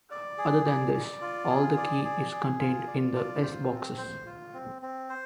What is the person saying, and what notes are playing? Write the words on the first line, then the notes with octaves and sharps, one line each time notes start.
Other than this, all the key is contained in the S-boxes.
D5
G#4
D5
D5
F4
G#4
D5
G#4
G#4
F4
D5
F4
C5
C4
C5
F4
C4
C4
C5